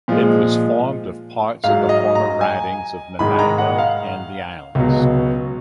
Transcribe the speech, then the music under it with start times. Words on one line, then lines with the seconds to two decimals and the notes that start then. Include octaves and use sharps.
It was formed of parts of the former ridings of Nanaimo and The Islands.
0.08 A#2 F3 G#3
1.64 G#2 F#3 F5
1.89 D#5
2.15 A#5
2.41 G#5
3.19 G#2 D#3 G#3 B5
3.39 A#5
3.58 F#5
3.78 F5
4.75 C#2 B2 F#3